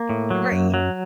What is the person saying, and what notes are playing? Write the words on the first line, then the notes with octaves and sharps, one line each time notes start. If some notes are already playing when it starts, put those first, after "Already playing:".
Uh, right, e
Already playing: A#3
A2
F#3
F#2
F#3